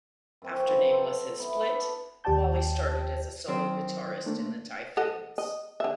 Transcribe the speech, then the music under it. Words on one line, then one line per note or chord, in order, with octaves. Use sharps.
After Nameless had split, Walli started as a solo guitarist in The Typhoons.
F#2 C4 C#6
B2 F3 G5
F#3 A4 C6 D6
B3 E4
D4
D#2 G4 D5 G5 A5 G6
D#3 F#3 C4
A3 A#3 D4
A4 D#5 F#5
D#5
D3 E5